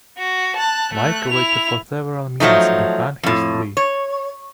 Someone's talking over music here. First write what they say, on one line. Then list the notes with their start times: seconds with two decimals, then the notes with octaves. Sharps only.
Mike waited for several minutes behind his tree.
0.18 F#4
0.57 A5 F#6
0.94 A3 F#6
1.29 E4 F7
2.40 F3 F#3 A3 D#4
3.23 F2 A2
3.77 C#5